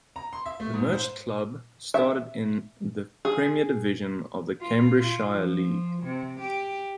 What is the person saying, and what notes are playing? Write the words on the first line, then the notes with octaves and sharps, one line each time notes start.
The merged club started in the Premier Division of the Cambridgeshire League.
A#5
C6
E5
A3
G#2
C5
E5
G#4
F4
F4
F3
C3
G4